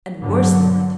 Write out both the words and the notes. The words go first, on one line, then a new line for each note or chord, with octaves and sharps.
And worse than that!
G2 D3 F#3